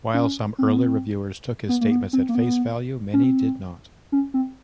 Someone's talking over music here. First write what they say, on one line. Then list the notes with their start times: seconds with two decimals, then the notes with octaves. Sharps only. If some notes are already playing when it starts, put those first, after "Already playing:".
While some early reviewers took his statements at face value, many did not.
0.14 C#4
0.59 C4
0.68 B3
0.76 C4
1.69 B3
1.81 A#3
1.91 B3
2.13 C4
2.29 A#3
2.35 B3
3.14 C#4
3.24 C4
4.12 C#4
4.34 C4